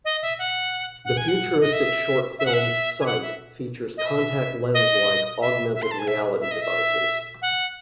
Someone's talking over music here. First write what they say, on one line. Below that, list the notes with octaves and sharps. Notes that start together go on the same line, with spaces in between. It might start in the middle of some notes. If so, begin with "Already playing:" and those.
The futuristic short film "Sight" features contact lens-like augmented reality devices.
D#5
E5
F#5
F#5
G#5
F#5
D#5
E5
E5
F#5
E5
G#5
F#5
E5
D#5
E5
D#5
E5
E5
C6
A5
G#5
E5
E5
D#5
E5
F#5